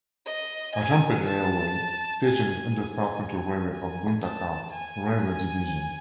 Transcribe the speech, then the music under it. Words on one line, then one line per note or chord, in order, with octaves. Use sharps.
Rajampet railway station is under South Central Railway of Guntakal railway division.
D#5
G#5
A5
G#5
G#5
G#5
A5
G#5
G#5